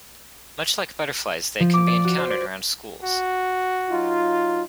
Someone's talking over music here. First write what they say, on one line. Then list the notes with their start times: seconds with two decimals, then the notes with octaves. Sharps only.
Much like butterflies, they can be encountered around schools.
1.60 F3
1.74 D6
1.87 D5
2.05 F#4
2.18 C5
2.30 D5
3.03 F#4
3.90 F#3 D#4 F4